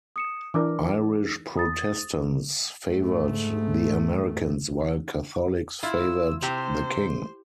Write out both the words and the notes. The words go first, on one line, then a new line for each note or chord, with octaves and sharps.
Irish Protestants favored the Americans, while Catholics favored the King.
D#6 C#7 E7
E3 D4 A#4 D6
D#6 A6
G#2 A3
E4 F4 E6
C3 G4 C5